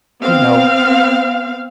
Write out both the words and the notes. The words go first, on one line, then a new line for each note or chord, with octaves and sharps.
you know,
B3 C4 F5